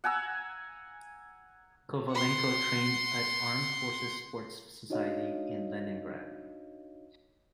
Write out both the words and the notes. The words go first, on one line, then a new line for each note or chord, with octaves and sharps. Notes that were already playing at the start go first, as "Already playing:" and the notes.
Kovalenko trained at Armed Forces sports society in Leningrad.
F#5 G#5 A#5 E6
F#5 C6
D4 D#4 F#4 C#5 D#5 F5